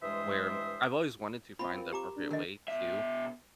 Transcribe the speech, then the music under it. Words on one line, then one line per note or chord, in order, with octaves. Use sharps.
where I've always wanted to find the appropriate way to,
G2 E3 G#3 C5 E5 D#6
C4 F4 B5
A#4
G4 A#5 D6
D4
D3 D#3 A#4 D#5
B2 E5